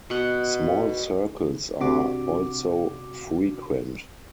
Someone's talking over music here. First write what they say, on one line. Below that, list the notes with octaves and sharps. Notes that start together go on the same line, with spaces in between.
Small circles are also frequent.
B2 F#5
C3 D4 F#4 D6